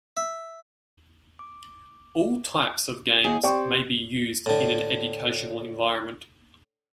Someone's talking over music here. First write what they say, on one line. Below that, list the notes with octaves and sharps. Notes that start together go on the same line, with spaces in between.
All types of games may be used in an educational environment.
E5
D6
D#2 G#4
C4 G4 D5 G5 C6 C#6
A2 D3